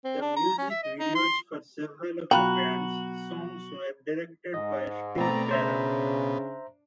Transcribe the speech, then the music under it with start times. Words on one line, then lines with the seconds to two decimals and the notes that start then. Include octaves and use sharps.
The music videos for several of the band's songs were directed by Steve Barron.
0.04 C4
0.21 D4
0.37 A#5
0.58 C#4
0.70 E5
0.84 D#5
0.99 D#4
1.15 C6
2.31 B2 F#3 F4 F#4 G5 A#5 B5 F#6
4.54 G#2 D#5
5.18 B2 A3 C4 D5 A#5
5.51 C#3 D4 C5 E5 A#5